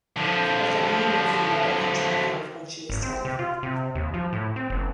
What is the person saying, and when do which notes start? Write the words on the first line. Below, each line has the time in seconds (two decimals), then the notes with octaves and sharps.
Her family moved from Lebanon to New York when she was ten.
0.17 D3 F3
2.90 G#1
3.02 C4
3.25 C3
3.39 F4
3.63 C3
3.95 D#2
4.14 F3
4.33 A2
4.56 C4
4.70 F#1